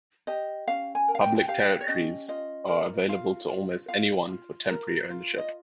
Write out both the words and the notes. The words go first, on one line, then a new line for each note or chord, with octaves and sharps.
Public territories are "available to almost anyone for temporary ownership".
G4 D#5
C#4 F5
G#5
A#4
F5
G5
G5
G4 F5
C#5
C#4 D#5
F4 D#5
A#4
F4 F5
F4
F4 F5
F4
A#4
F4
D#5